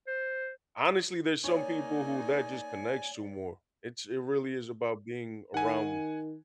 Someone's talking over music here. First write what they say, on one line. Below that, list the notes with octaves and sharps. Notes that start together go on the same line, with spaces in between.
honestly, there's some people who that just connects to more, it's it really is about being around
C5
A#3 D#4 C#5 D5 G#5
D#3 F#5 G#5